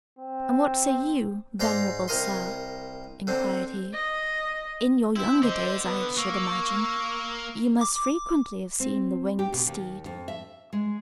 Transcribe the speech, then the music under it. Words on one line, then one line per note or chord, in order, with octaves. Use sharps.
"And what say you, venerable sir?" inquired he, "In your younger days, I should imagine, you must frequently have seen the winged steed!"
C4
G#2 D5 A#5 C6
C2 A#4 D#5 C6
D3 C4
D#5
C4 E4 C6
D3 C5 D#5
B3 B4
A#3 C#6 E6
D6
C4
G4
B2
D#2
F2
E5
G#3